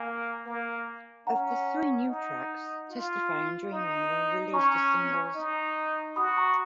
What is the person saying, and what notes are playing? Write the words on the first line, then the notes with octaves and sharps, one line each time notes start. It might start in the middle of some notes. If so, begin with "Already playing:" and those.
Of the three new tracks, "Testify" and "Dreaming" were released as singles.
Already playing: A#3 F5 G#5
A#3
C#4 F#5 A#5
D#4
F4
D#4
C#4 A#5 C#6
D#4
F#4 B5 D#6
A#5 C#6